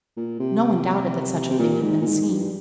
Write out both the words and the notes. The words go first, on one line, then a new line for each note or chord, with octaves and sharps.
No one doubted that such a thing had been seen.
A#2
C3
C3
A#2
G#2
A#2
G#2
G2